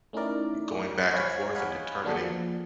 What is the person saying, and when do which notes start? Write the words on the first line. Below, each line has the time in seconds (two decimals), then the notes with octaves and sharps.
y going back and forth and determining
0.13 A3 C#4 D#4 E4 A#4 D5
1.14 C5 C#5 F5 G#5 B5 G#6
1.54 C#5 D#5 F5 F#5 G#5 B5
2.04 D3 A#3 D4 F#4 G#4 A4
2.17 F3 A#3